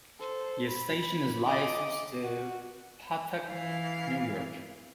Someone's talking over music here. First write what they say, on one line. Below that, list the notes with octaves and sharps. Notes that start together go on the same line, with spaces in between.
The station is licensed to Patchogue, New York.
A4 C5
B5
D#5 D6
F#4
E3 F5